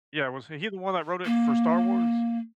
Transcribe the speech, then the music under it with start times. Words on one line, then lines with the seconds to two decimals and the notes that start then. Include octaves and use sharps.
Yeah, was h he the one that wrote it for Star Wars?
1.26 A#3